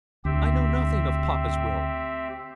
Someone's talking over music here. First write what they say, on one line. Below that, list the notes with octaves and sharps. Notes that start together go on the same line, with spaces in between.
'I know nothing of papa's will.
D2 C4 G4 E5